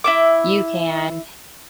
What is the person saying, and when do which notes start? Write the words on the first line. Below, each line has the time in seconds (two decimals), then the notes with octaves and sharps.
you can
0.04 E4 E5 D6